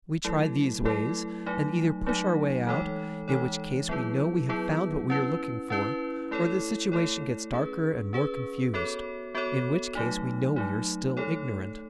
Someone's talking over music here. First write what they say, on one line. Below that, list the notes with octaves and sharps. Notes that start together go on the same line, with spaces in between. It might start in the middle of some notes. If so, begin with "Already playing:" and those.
We try these ways, and either push our way out, in which case we know we have found what we were looking for, or the situation gets darker and more confused--in which case, we know we are still ignorant.
F#3 A3 E4 A4
F#3 A3 E4 A4
F#3 A3 D#4
F#3 A3 D#4
E3 G#3 D#4 A4 C#5
E3 G#3 D#4 A4 C#5
F#3 B3 E4 G#4 B4
F#3 B3 E4 G#4 B4
C#4 E4 B4
C#4 E4 B4
A3 E4 A4 C#5
A3 E4 A4 C#5
C#4 G#4 B4
C#4 G#4 B4
B3 F#4 A4 C#5
B3 F#4 A4 C#5
F#3 A3 D#4
F#3 A3 D#4
A3 D#4 A4 C#5